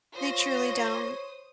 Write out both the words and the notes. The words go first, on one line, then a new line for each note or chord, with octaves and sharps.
They truly don't.
F4 C5 C#5 C6 D#6 A#6